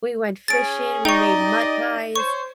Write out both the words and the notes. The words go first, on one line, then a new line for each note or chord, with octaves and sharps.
we went fishing, we made mud pies,
C#4 G#4 A6 D7
D#4 G4 D5 D#5 G5 C#6
C5 C#5 C#6